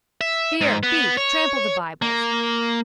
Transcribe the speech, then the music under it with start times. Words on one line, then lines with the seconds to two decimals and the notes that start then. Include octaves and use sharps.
Beer, beef, trample the bibles.
0.21 E5
0.61 G#2
0.83 B3
1.17 C#5
2.02 A#3